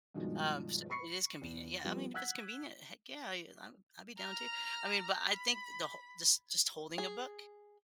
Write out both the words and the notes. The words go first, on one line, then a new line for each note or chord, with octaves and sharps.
Um, so it is convenient. Yeah, I mean, if it's convenient, heck, yeah, y I'm I'd be down too. I mean, but I think the hol just just holding a book,
G2 B2 D#3 F3 G#3
B5 C#6 C7 C#7
E2
F3 G3 B3
F#5 E6 F#6 G#6 B6
A#5 F6
B5
G#4